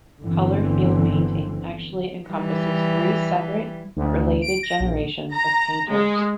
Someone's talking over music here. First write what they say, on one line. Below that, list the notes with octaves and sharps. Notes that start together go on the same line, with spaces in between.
Color Field painting actually encompasses three separate but related generations of painters.
G1 D3 E3 C4
E3 G3
D2
D7
A#6
A#1
A#5
G#3